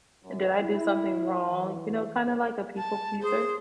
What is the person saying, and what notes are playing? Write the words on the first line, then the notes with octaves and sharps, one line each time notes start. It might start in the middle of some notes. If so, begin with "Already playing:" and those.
"Did I do something wrong?" You know, kind of like a people pleaser,
F#2
E4
E3
A5
G#4 C5